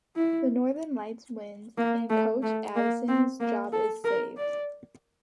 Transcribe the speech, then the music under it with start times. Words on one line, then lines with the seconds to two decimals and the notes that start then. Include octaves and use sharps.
The Northern Lights win and coach Addison's job is saved.
0.16 E4
1.78 A#3
2.10 A3
2.43 A3
2.76 A#3
3.08 C4
3.40 A#3
3.72 A4
4.05 A#4
4.37 D5